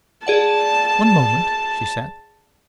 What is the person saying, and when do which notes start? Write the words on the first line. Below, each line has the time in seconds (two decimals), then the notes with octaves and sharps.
"One moment," she said.
0.27 G#4 D5 F#5 A5